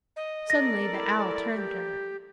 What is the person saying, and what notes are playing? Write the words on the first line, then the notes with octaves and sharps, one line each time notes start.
Suddenly the Owl turned to her.
D#5
A4 A#4 D5 A#6
E4
G4